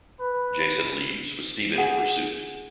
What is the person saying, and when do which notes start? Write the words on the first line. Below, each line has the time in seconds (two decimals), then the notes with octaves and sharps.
Jason leaves with Steven in pursuit.
0.19 B4
1.75 F4 G#4 A4 F#5 G#5